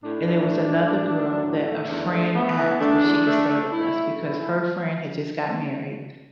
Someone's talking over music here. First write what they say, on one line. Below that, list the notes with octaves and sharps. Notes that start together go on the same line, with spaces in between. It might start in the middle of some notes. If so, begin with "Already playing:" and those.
and there was another girl that a friend asked if she could stay with us, because her friend had just got married,
A2 D4
A3
A2
A2
A3
F#3
A2
A3
E2 D4
A3
A3 B3
E3
B3
A3 D4
E2
A3
A3
A3 E4
A3
B2 E4